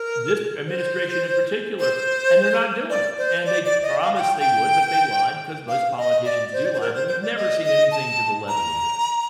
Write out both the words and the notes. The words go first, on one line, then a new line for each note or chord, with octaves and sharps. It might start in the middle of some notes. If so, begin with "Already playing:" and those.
this administration in particular, and they're not doing it, and they promised they would, but they lied, 'cause most politicians do lie, but we've never seen anything to the level of this.
Already playing: A#4
C5
C5
D5
C5
D5
D5
D#5
F5
F5
G5
G5
F5
D#5
D5
C5
D5
C5
A#4
C5
C5
D5
D#5
D#5
A5
A#5